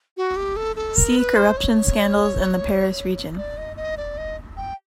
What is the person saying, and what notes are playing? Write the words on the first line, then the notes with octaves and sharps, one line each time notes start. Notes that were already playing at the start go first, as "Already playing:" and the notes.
See corruption scandals in the Paris region.
F#4
G4
A4
A4
A#4
B4
C5
C#5
D5
D#5
D#5
D5
D#5
G5